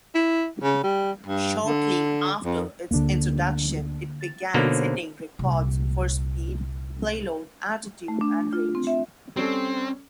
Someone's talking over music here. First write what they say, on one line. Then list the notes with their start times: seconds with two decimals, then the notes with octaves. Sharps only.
Shortly after its introduction, it began setting records for speed, payload, altitude and range.
0.15 E4
0.63 C#3
0.83 G3
1.26 G2
1.64 D3
2.45 F2
2.91 D2 D3 A#3 D4
4.21 A6
4.54 B2 D3 A#3 D#4 C5 C#5
5.39 C2 A#2
8.08 A3
8.21 D4
8.53 F4
8.75 C4
8.87 E5
9.36 G3 C4 C#4 A4